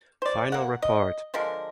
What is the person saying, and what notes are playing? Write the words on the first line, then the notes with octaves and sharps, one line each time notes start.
Final report.
C5 D5
A#3 F#5
D#5
D3 F3 G#3 A#4